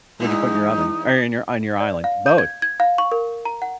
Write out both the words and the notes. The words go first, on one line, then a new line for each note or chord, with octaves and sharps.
What'd you put in your oven or in your on your island? Both,
E2 E3 G#3 D#4
D5
F5
G6
G#6
G#6
F5
C#6
A#4
A#5
F#5